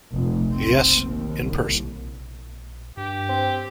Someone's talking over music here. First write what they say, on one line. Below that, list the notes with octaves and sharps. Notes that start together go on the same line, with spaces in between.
Yes, in person.
F1
C4
D#2
C2
G2 G4
C4